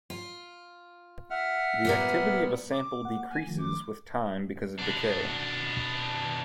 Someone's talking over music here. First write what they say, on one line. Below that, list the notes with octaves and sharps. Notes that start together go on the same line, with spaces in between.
The activity of a sample decreases with time because of decay.
F4
E5 F#5 F6
A#2 G3 B3
D6
A#3 F#5
G#5
D#3 F3 A3
D6
B2 D4